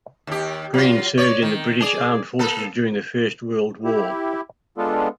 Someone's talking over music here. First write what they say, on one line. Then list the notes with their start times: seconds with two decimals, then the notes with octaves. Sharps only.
Green served in the British Armed Forces during the First World War.
0.27 D#2 G4
0.74 F#3 F4
1.18 C#5 D5
1.42 D#3
1.81 G#4 D5
2.39 A#3 A4
3.85 E4 G4
4.78 G#3 B3 D4 F4 A4